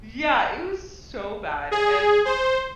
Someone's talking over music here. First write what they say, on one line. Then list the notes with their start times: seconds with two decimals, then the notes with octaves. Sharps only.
Yeah, it was so bad, and,
1.71 G#4
2.25 C5